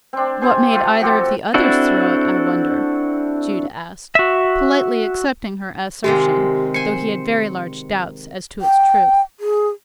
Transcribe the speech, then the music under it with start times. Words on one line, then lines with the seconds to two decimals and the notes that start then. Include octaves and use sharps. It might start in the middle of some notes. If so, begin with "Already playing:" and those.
"What made either of the others throw it, I wonder?" Jude asked, politely accepting her assertion, though he had very large doubts as to its truth.
0.13 C4 D4
0.42 C3 C5 G#5
0.73 A3 F4
1.00 F3 F#4 G4 A4
1.54 C4 D4 E4 F#4 A4
4.15 F#4 E5
6.04 C3 D#3 G#3 G4
6.74 C5 G#5 C#7
8.61 G5
9.40 G#4